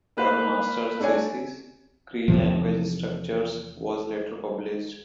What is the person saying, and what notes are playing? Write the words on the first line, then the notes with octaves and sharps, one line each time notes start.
Her Master's thesis, "Cree Language Structures", was later published.
A#3 B4 C5 F5
A3 D4 A4 C#5 G#5
E2 C3 F3